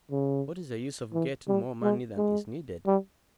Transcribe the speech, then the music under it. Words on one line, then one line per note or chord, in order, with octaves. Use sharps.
What is the use of getting more money than is needed?
C#3
E3
G3
G#3
G#3
G3